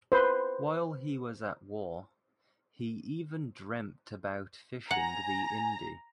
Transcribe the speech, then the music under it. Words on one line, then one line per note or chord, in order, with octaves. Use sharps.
While he was at war, he even dreamt about fishing the Indi.
B4 C5
F#5 G#5 A#5